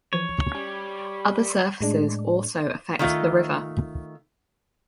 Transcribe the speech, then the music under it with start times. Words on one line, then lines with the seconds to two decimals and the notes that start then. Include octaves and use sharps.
Other surfaces also affect the river.
0.13 E3 F3 C#5 D#7
0.55 G3 C#4
1.81 A2 G#3 D4
2.99 D#3 A3 F4